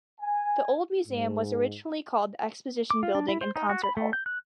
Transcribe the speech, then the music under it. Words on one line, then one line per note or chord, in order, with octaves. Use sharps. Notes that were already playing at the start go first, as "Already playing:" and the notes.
The Old Museum was originally called the Exhibition Building and Concert Hall.
G#5
G#2
D6
F4
D4
E4
C5
D#4
F#4
B5
A3
G6
F#6